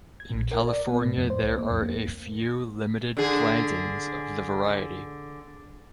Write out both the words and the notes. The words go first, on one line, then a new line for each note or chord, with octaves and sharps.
In California there are a few limited plantings of the variety.
G#6
A#1
A#4
D5
B3
A2
F2
C5
C2
A#3
F2
A#3
D3 G#4